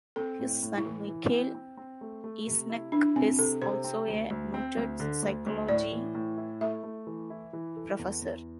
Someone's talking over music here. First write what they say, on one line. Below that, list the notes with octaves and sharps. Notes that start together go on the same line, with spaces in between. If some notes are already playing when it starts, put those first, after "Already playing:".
His son Michael Eysenck is also a noted psychology professor.
C4 A4
A2
A2
E4
E3
E3
C4
C4
C4
A3
A3
C3
E4
D4 E4
C3 C4
C3 A4
C3 C5
C4
D2
D2
C4
D2
D3
D2
D2
A2 D5
E3
A2
E4
A3 E5
A3
E3
E4
E3
A4
E2
E2